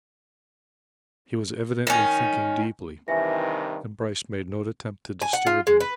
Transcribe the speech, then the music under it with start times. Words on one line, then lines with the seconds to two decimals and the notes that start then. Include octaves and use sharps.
He was evidently thinking deeply, and Bryce made no attempt to disturb him.
1.87 D#3 C#4
3.08 G2 C3 D#3 E3 E5 G#5 A#6
5.22 G#5
5.33 F#5
5.47 F4
5.67 G#3
5.80 B4